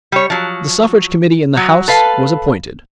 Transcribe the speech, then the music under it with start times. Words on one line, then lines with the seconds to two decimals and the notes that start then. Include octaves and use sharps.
The Suffrage Committee in the House was appointed.
0.12 G3 C#5
0.30 F3 F#3
1.57 F#3
1.88 A4 B4 F5